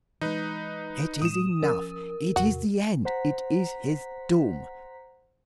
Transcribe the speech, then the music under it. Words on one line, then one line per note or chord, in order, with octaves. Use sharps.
'It is enough!--it is the end!--it is his doom!
E3 G#3 D#4 B4
A2 G#3 D#6 E7
F3 C#4 A#4
E2 A2 C3 F#4
C5 F#5 A#5 B6